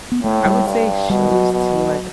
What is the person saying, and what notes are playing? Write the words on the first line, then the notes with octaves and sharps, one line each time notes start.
I would say shows too like
B3
A2 A3
G3
G2
B2 G3
F#3
B2